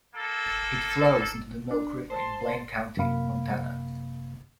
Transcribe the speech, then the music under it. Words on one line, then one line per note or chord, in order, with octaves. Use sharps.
It flows into the Milk River in Blaine County, Montana.
A#3 A4
D4
C5 A5 C6
F#2 C3 A#3 F5 B5